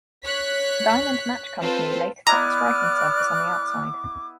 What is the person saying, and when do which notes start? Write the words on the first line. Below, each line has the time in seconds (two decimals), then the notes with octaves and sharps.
The diamond match company later put the striking surface on the outside.
0.25 C#5 F#6 B6
1.61 C4 F4 A4 B4 C5
2.27 B3 E4 D5 D#5 A#5 D6 F6 F#6